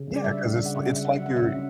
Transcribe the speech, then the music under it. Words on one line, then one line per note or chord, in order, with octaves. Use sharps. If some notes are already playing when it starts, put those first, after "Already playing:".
Yeah, 'cause it's li it's like you're
Already playing: C#3
G3 D5
E5
D4
C#3 E5
F#5
C#3 E5
F#5
G3 E5
F#5
F#3 E5
F#5
C#4 E5